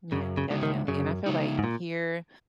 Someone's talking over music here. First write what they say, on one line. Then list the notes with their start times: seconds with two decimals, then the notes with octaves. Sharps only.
Yeah, definitely, and I feel, like, here,
0.12 F#2 C#3
0.38 C#3
0.50 C#3 G#3 D#4
0.63 D#3
0.88 F#2 C#3
1.26 C#3 G#3 D#4
1.59 G#2
1.64 A#2